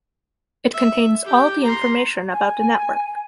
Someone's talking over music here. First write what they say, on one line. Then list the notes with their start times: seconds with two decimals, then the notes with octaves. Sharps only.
It contains all the information about the network.
0.74 E5
1.25 G4 G5
1.63 A#5 C6
2.31 G#5